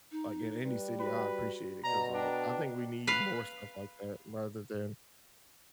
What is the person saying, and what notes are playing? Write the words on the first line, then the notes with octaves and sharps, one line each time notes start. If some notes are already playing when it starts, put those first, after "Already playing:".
like, in any city, I appreciate it, 'cause, like, I think we need more stuff like that rather than,
D#4
G3 B4
F#4 B4
B2 D5 A#5
D4 G5
B4 F5